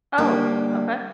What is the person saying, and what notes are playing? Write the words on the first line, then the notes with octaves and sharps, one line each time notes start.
Oh, okay.
D3 G3 A#3 G4